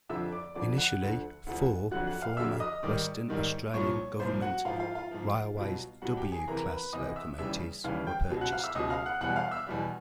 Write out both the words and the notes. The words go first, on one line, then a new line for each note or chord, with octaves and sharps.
Initially four former Western Australian Government Railways W class locomotives were purchased.
F2 D3 F3 E5 E6
D5 D6
F2 D3 F3 D5 D6
F#5 F#6
D2 D3 F3
D2 D3 F3
F2 D3 F#3 F#5 F#6
F#5 F#6
F5 F6
F2 D3 F#3 E5 E6
D#5 D#6
G#2 D#3 G3 D5 D6
G#2 D#3 G3
C2 A#2 F3 C#5 C#6
C2 A#2 F3 C5 C6
F#4 F#5
G#2 F3 F4 F5
F4 F5
F4 F5
G#2 F3
C2 B2 F#3
C2 B2 F#3 F#4 F#5
G4 G5
G#4 G#5
E2 C3 E3 A#4 A#5
B4 B5
E2 C3 E3 D#5 D#6
E5 E6
D#2 C#3 E3 G3 E5 E6
D#2 C#3 E3 G3 F5 F6
G5 G6
C#2 B2 F#3
F#5 F#6
F5 F6
E5 E6
C#2 B2 F#3 D#5 D#6
F5 F6
F#5 F#6
E2 B2 G3 F#5 F#6
F5 F6
E5 E6
E2 B2 G3